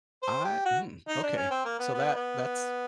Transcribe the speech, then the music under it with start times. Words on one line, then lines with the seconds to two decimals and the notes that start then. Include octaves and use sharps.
I Hmm, okay, so, that that's
0.23 C5
0.44 G4
0.66 F#4
1.09 D#4
1.23 D4
1.37 C#4
1.51 C4
1.65 A#3
1.79 B3
1.94 B3
2.15 B3